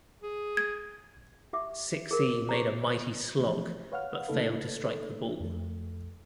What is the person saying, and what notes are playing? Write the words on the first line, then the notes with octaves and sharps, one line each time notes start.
Sixey made a mighty slog, but failed to strike the ball.
G#4
G#6
G4 E5 D6
G#4 A#4
G4 G#4 C5 A#5
E3 F3 A3
B4 C#5 F5 F#5 F6
C#3 A3 A#3 D#4 A4 B4
F2 A3